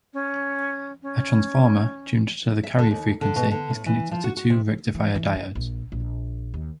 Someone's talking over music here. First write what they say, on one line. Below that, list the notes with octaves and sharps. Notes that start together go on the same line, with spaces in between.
A transformer, tuned to the carrier frequency, is connected to two rectifier diodes.
C#4
C#4
E5
D3
D#2
D3
B2
D3
A2
E3
F3
F#4
F#4
C3
E3
E3
F#2
A#1
A#1
D#2